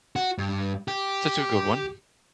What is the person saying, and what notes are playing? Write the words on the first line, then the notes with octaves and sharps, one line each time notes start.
That's a good one.
F#4
G2
G4